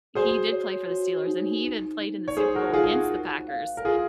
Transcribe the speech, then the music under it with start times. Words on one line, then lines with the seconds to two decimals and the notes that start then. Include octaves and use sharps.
he did play for the Steelers and he even played in the Super Bowl against the Packers,
0.15 F#4 G#4 C5
0.53 C#5
0.90 F#4
1.27 D#4
1.64 D#4
2.00 D#4
2.28 C#5
2.37 D#4 G#4 C5
2.55 F#4 A#4
2.73 D#4 F4 G#4
2.84 G#4
2.93 F#4
3.11 A#4
3.48 F5
3.77 A#4
3.85 F4 G#4 F5